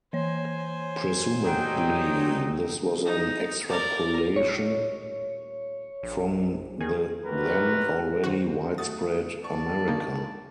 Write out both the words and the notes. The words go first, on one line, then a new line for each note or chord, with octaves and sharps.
Presumably, this was an extrapolation from the then already widespread "Amerika".
E3 C5 C#5 G#5
F#3 G3 D#4 G5
D#4
A#4 D5
D#1 C#5
A#1
D#3 G#4
F#2 C3 F#4 A#4 B4
D#3 F#4 C5
A3 F#4 D#6 A6
D5 A5 C#6
D3 A#3 D#4